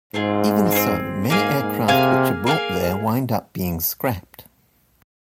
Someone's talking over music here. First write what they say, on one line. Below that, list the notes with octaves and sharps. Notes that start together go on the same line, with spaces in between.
Even so, many aircraft which are brought there wind up being scrapped.
G#2 C4 F4 G#4
C4 F4 G#4
G#2 A#3 G#4 F5 G#5
G#2
C3 A#3 G#4 F5 G#5
A#3 G#4 F5 G#5